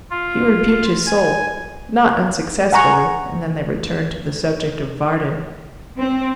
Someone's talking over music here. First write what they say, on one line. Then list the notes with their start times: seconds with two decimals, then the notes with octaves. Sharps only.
He rebuked his soul, not unsuccessfully, and then they returned to the subject of Varden.
0.10 F4
1.06 G#5
2.73 F#5 G#5 A#5 C#6
5.98 C4